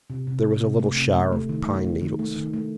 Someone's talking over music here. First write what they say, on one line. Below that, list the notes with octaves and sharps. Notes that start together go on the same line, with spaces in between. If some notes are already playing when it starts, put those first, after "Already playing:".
There was a little shower of pine needles.
C3
C3
C3
C3
A3
C3
A3
A3
D#3
A3
A3
D#3
A3
D#3
A3